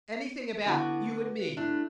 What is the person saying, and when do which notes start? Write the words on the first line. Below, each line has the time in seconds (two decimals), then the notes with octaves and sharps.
"Anything about you and me?"
0.66 D3 B3 E4 F#4
1.21 B4
1.57 A3 D4 E4